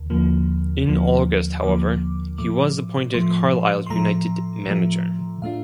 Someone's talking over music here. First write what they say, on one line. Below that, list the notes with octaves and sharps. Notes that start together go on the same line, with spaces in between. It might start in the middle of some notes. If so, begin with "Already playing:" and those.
In August, however he was appointed Carlisle United manager.
Already playing: D#2 D3
D#2 D3 F3 A#3
D#2 D3 F3 A#3
D#2 D3 F3 A#3 D6
A2 F3 A3 D6
A2 F3 A3 C6
C6
A2 F3 A3 A#5
A2 F3 A3
A2 A3 D4 F4 F5